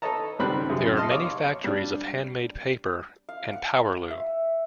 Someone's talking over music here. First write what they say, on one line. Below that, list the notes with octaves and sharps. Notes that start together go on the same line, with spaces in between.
There are many factories of Handmade paper.. and powerloo.
A4 B4 C#5 D#5 A5 A#5
C#2 D#3 G3 C4 B5 F#6
F#2 C3 G#4
D#5 A5 C6 F6
C#5 F5 D6
G3 D4
F5
F#5
E5